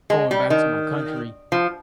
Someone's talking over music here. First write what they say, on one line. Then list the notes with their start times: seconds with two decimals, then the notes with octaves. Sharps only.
going back to my country
0.10 G#3
0.31 G3
0.50 D#3
1.52 F3